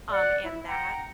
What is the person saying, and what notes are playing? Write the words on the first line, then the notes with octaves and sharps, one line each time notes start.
um, and that
D5 F#5 F#6
E4
F#5 G5 A#5